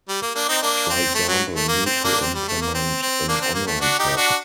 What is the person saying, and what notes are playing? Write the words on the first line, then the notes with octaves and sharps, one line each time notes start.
For example, a need to implement an online shop.
G3
A#3
A#3 D4
C4 D#4
A#3 D4
C4
A3
F#3
A3
A#3
C4
A#3 D4
C4
G3
A3
A#3
C4
C4
A#3 D4
C4
A#3
A3
D4 F#4
D#4 G4
D4 F#4